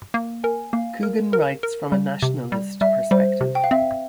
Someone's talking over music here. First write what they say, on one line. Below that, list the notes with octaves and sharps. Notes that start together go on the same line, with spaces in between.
Coogan writes from a nationalist perspective.
A#3
A#4 G#5
A#3 F5
A#4
A#4
A#4
G3
C3
G3
G3 E5
G3 C5
C3
G5
F5
C4 E5